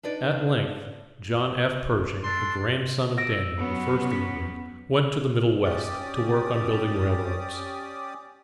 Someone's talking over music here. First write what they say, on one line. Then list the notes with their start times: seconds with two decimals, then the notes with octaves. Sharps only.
At length, John F. Pershing, a grandson of Daniel, the first immigrant, went to the Middle West, to work on building railroads.
0.03 D4 D#4 B4 D5
2.24 D4 A4 C6
3.17 E6 A#6 D7
3.56 F#3 B3 C#4
4.11 B6
5.63 C#4 G4 D5 D6 D#6